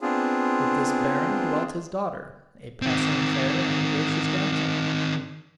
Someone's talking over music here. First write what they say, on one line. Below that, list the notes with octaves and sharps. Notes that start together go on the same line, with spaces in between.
With this baron dwelt his daughter, a passing fair and gracious damsel.
B3 C4 D4 F4 G#4
D#3 C4